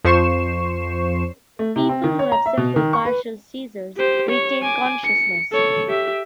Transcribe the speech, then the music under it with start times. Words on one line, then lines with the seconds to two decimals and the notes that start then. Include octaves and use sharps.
People who have simple partial seizures retain consciousness.
0.04 F2 F3 C5 C#6 C7 E7
1.59 A3
1.76 C3
1.89 C4
2.04 D#3
2.19 C#5
2.32 A#5
2.46 E5
2.57 B2
2.76 D#3
2.93 C#6
3.05 B4
3.96 G4 C5
4.30 C#5
4.62 G#5 D6
5.05 C#7
5.52 A4 C#5
5.88 G4 E5